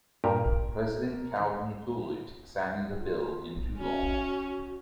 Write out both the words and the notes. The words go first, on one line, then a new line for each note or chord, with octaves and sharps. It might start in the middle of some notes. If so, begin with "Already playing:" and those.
President Calvin Coolidge signed the bill into law.
G2 A#2 G4 A#4
F4
C#4 F#4